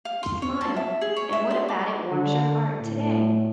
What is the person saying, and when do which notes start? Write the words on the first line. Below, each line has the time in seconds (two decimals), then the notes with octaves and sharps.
smile, and what about it warms your heart today?
0.05 F5
0.23 C6
0.42 C#5
0.61 A5
0.76 E5
1.01 G#4
1.16 C#5
1.33 E5
1.51 C6
1.68 D6
2.10 D3
2.81 A2